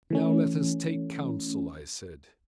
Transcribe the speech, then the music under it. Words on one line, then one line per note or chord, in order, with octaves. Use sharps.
"Now let us take counsel," I said.
E3 A3 C#4